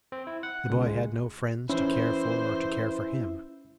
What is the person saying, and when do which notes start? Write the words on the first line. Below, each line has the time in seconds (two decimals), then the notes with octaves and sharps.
The boy had no friends to care for, or to care for him.
0.12 C4
0.27 E4
0.43 F#5
0.69 C#2
0.86 G#3
1.70 E3 C#4 E4 C5